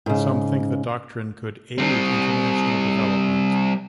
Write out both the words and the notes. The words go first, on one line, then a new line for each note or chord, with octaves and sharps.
Some think the doctrine could aid international development.
G#2 C#3
G3 C4